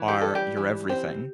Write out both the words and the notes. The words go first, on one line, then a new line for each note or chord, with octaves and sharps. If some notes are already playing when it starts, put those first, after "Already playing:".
are your everything.
Already playing: E3
G4
G3 A4
G4
E3
C4